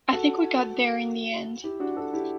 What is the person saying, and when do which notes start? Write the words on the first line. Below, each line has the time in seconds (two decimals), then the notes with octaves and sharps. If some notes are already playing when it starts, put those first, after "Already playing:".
I think we got there in the end.
0.12 F#4 A4
1.64 E4 G4
1.80 D4 F#4
1.97 F#4 A4
2.13 E4 G4